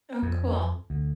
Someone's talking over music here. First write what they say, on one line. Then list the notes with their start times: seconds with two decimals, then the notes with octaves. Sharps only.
Oh, cool.
0.22 F2
0.90 D2